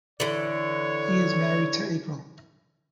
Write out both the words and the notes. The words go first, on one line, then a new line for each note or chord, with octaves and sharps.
He is married to Apryl.
D3 E3 C#5